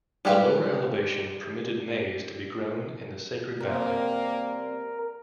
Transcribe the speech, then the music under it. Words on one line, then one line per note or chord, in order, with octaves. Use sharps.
The lower elevation permitted maize to be grown in the Sacred Valley.
G3 G#3 G4 B4 F5
C3 G3 A#3 A#4